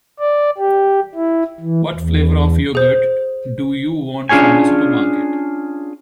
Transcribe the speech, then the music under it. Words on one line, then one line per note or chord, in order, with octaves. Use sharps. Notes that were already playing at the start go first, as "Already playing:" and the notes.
What flavour of yoghurt do you want from the supermarket?
D5
G4
E4
E3
E2
G#4 C5
C#4 D4 F4 G#4 C#5 G#5